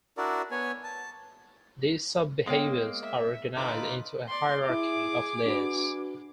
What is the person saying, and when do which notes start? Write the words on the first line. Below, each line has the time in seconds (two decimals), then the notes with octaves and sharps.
These sub-behaviors are organized into a hierarchy of layers.
0.18 D4 E4 F#4 A#4 D5
0.51 B3 C#5 G#5
0.84 A5
2.47 G#3 A#3 B3 C#5 G5
3.02 E5
3.57 D3 D#4 F4 B4 D6
4.29 D5 C6
4.66 E4 G#4 E5 D6
5.46 D4 F#4 B4